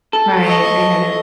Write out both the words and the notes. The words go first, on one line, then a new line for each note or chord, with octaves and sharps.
Right, I get it.
A4
D#5 C#6